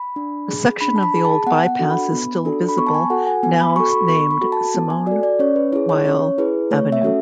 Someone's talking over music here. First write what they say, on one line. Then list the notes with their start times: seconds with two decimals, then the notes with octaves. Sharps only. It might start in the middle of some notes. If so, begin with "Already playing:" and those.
A section of the old bypass is still visible now named Simone Weil Avenue.
Already playing: B5
0.16 D4
0.49 G#4
0.81 D4 B5
0.96 A5
1.03 B5
1.14 G#4
1.25 A5
1.46 B3 F#5
1.68 F#5
1.79 D4 F#4 A4
1.90 B5
2.12 B3
2.45 D4 F#4 A4
2.69 B5
2.77 B3 C#6
2.87 A5
2.94 G#5
3.10 F#4 A4 F#5
3.27 G#5
3.43 B3 G#5
3.60 B5
3.76 F#4 A4 C#6
3.92 B5
4.09 B3 C#6
4.31 B5
4.41 F#4 A4
4.52 A5
4.74 B3
4.90 G#5
5.06 F#4 A4 D5
5.23 D5
5.39 C#4 C#5
5.56 B4
5.72 E4 G#4 C#5
5.89 C#5
6.05 C#4 C#5
6.38 E4 G#4 B4
6.71 A3 C#5
6.92 E5
7.04 C#4 F#4 A4